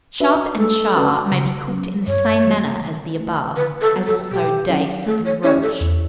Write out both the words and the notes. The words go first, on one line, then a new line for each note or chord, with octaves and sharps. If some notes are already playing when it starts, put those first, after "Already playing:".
Chub and Char may be cooked in the same manner as the above, as also Dace and Roach.
D4 F#4 B4 E5
A3 A4
C#4 F#4 B4 D5
C#3
F#3 C#4
G2 C#5
E3 G3 B3 F#4
E3
A3 E4
D3 B4
A4
G3 B3 F#4
A4
B2 G4
F#3 C#4 E4 A4
A3 A4
C#5
C#4 E4 G4 C#5 D5
A4
E2